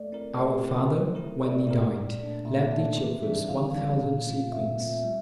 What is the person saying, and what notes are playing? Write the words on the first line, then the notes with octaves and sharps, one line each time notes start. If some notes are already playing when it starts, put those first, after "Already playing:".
Our father, when he died, left each of us one thousand sequins.
Already playing: A3 D5
C4 E4 A#4
A3 C5
C4 E4 A#4
A3
E4 G4 A#4
A3 D5
E4 G4 A#4
A#2
A3 D4
A#2 E5
A3 D4
C3
E3 G3 D4
C3 F5
E3 G3 D4
A#2
A3 C4 F4
A#2 E5
A3 C4 F4
G3